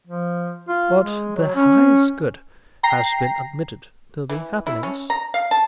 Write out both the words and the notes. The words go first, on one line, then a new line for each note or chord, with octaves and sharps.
'But the highest good has been admitted to be happiness.'
F3
F4
G#3
F#3
C#4
G5 A#5 A#6 C7
E3
E4
C#4
A#5
F5
A5